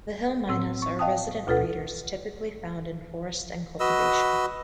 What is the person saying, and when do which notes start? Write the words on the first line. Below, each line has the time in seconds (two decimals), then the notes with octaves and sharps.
The hill mynas are resident breeders typically found in forest and cultivation.
0.48 A2 C4 E6
0.82 C#6
0.99 D#5 F5 G5 A5 D#6
1.47 D2 B2 F4 A4 B4 F#5
3.80 F#4 B4 D#5 E6